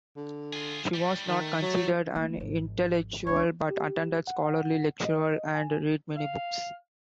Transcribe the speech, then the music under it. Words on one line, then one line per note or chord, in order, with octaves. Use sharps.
She was not considered an intellectual but attended scholarly lectures and read many books.
D3
F4 G#4
A2 G3
D#3 A3
F#3
D2 A#3
G#1 F3
C#2 D4 C#5
G4
F#5
D#5
G#5
F5